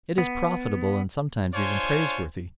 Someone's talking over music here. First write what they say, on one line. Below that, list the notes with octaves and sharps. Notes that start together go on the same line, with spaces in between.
It is profitable and sometimes even praiseworthy.
B3
D4 F4 C5 C#5 G#5